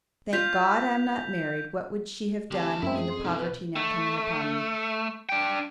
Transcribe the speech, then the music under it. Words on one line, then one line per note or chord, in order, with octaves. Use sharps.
"Thank God I am not married: what would SHE have done in the poverty now coming upon me!"
F4 G6 B6 F7
D2 C4 G4 A4
F#2 G#3 A3 C4 E5 B5
G#4
F2 C6
B2 D#4
B4
A3
D4 G5